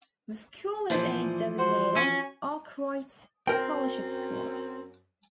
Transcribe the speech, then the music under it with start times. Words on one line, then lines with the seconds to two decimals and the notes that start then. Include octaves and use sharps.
The school is a designated Arkwright Scholarship School.
0.90 A#2 E3 F3 C5
1.58 F#4 C5 F#5
1.96 C#4
3.47 F#2 C4 A#4 G5